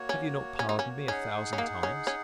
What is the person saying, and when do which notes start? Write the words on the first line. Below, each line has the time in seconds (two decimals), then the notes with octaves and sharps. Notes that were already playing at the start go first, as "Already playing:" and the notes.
Have you not pardoned me a thousand times?
Already playing: A#3 F#4 C#5
0.09 C#4
0.59 C#4
0.69 D#4
0.79 C#4
1.08 C#4 D#4 G#4 F#5
1.53 C#4
1.58 A#3
1.83 C#4
2.07 C#4